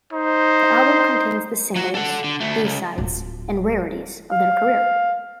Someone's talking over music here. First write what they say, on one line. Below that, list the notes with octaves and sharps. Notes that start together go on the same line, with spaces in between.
The album contains the singles, b-sides and rarities of their career.
D#4 C5
F#3 F#4
A4 F#5
D3
D2 A3
C#2
D1 F4
F5